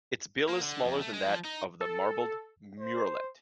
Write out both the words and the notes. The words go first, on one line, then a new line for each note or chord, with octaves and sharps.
Its bill is smaller than that of the marbled murrelet.
A#3
D3
F2
A3
G#3
F3
D#4
A4
C5